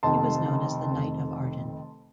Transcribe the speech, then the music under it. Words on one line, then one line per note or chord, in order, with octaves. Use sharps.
He was known as the Knight of Arden.
F1 F2 D#3 A5 C6
F1 F2 D#3